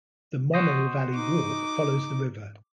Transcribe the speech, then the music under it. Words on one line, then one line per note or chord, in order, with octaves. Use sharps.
The Monnow Valley Walk follows the river.
F#4 C5 D#5
D#4 D6